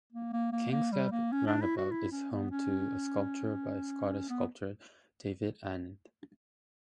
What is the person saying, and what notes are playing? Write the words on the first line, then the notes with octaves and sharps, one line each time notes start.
Kings Gap roundabout is home to a sculpture by Scottish sculptor David Annand.
A#3
A#3
A#3
A#3
G3
A#3
C#4
D4
E4
F#4
E4
C#4
B3
C#4
B3